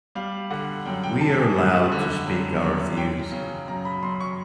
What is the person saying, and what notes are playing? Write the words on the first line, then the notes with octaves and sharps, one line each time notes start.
We are allowed to speak our views.
G3 F5
D3 F#5
F#2 G5
G5
F#2 A5
G#5
G3
D3
F#2
F#2
F#3 G5
C#3
F#2 A#5
B5
F#2 C6
C#6